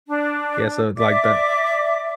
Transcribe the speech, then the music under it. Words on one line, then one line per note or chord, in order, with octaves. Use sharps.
Yes, I would like that.
D4
D5 E5 D6